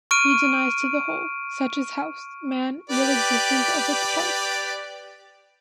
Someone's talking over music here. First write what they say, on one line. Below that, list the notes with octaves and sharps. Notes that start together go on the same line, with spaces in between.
He denies to the whole, such as house, man, real existence of its parts.
C#6 F6 D7 D#7
G4 B4 D5